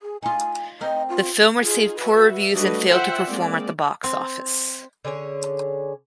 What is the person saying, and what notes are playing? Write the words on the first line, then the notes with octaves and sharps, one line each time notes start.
The film received poor reviews and failed to perform at the box office.
G#4
D#4 F4 G#5
C4 A#4 D#5
F4
D#4 F4 G#4
F#4 B4 E5
G3 A3 D4 F#4 B4 D#5
F3 F4 C5 E5 F#5 G5
G#3 A#3 C4 D5
C4
D3 C#4 G#4 C#5